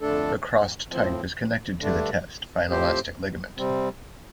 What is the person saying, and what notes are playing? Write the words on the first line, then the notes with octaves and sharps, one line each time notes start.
The crossed type is connected to the test by an elastic ligament.
F2 D3 A3 D4 A4
A2 F3 C4
G2 D3 A3 D4
A2 F3 C4 G4 C5
C3 G3 C4